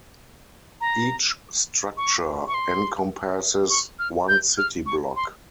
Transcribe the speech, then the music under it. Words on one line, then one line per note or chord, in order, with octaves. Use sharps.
Each structure encompasses one city block.
A#5
C#6
C#6
C6
C#6
F6
G6
F6
C#6
C6